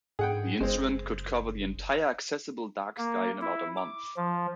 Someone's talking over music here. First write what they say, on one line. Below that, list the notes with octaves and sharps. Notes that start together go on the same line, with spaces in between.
The instrument could cover the entire accessible dark sky in about a month.
G#2 G#4 F#5 G5
F#1 G#3 C4
A#3
E4
D6
F3